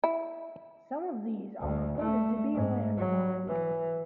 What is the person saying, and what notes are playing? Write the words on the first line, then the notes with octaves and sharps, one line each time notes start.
Some of these are reported to be landmined.
E4
D2
A3
G#2
F#3
E3